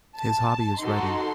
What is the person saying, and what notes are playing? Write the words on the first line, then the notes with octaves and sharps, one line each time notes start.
His hobby is writing.
A5
D#4 F#4 A4 C6